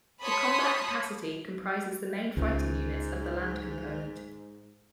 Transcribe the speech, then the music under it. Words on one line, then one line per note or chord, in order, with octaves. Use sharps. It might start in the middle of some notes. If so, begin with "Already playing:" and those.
The combat capacity comprises the main fighting units of the Land Component.
C#5 A5 B5 C6 D#6 B6
C#2 G#2